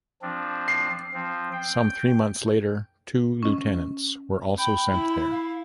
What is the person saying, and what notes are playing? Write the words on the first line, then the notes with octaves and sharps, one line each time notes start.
Some three months later, two lieutenants were also sent there.
F3 C4 D4
C7
F3 C4
G5
C#4 D#5
G5 B5
E4
F5